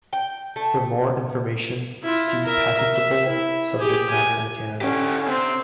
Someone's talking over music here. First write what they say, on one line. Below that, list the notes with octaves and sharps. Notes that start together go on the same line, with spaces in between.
For more information see patentable subject matter in Canada.
G5
A3
E4 F4
A#4 E5
E5
E4
G4 G#4
G#5
D3 C#4 E4 G4
C3 C4